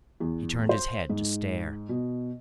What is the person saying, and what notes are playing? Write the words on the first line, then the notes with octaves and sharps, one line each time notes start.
He turned his head to stare.
E2
C5
G#2
B2